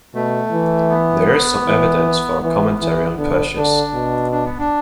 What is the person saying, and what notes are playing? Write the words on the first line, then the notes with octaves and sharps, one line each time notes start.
There is some evidence for a commentary on Persius.
B2 A3
E3
B3
E3
E3 B3
E3
D3 B3
D3 D4
B2
D4
B3
D4